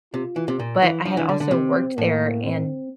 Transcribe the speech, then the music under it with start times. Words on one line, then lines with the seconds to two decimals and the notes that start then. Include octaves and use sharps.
But I had also worked there and
0.14 C3 F4
0.36 E3
0.48 C3
0.59 A#2
0.82 E3
1.05 F3 D4
1.17 E3
1.29 D3
1.40 D3
1.51 C3 C4
1.97 A2 A#3
2.44 C4